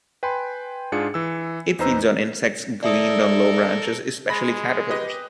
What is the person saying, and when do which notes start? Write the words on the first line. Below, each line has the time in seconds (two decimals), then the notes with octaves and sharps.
It feeds on insects gleaned on low branches, especially caterpillars.
0.23 B4 G5 G#5 B5 C6
0.92 G#2 D4 F4 G#4 C#7
1.14 E3 E6
1.79 E2 D#4 B4 C5 A#5 E6
2.83 A4 A#4 D5 E5 D#6
4.30 G#3 B5 A#6
4.90 G4 B4 D#5